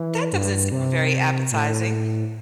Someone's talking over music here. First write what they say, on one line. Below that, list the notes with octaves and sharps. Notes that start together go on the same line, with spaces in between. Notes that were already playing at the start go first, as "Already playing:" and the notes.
That doesn't seem very appetizing.
Already playing: E3
G2
C3
A2